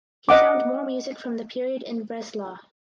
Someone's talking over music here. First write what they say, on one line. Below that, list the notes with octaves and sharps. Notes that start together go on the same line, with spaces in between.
He found more music from the period in Breslau.
D#5 F#5 D6